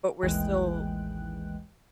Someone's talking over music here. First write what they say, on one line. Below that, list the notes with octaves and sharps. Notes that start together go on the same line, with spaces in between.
But we're still
A1 D#2 E3 G#3 G5 F#6